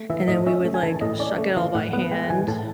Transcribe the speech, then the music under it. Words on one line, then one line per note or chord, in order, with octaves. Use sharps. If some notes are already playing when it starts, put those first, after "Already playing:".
and then we would like shuck it all by hand,
Already playing: A3
E3 E5
A2 D#5
C#4 E5
A3
G#5
E3 A5
A2 D#5
C#4 D5
A3
E3 F5
A2 F#5
B3 F#5
G#3 G5
E3 G#5
A2 A5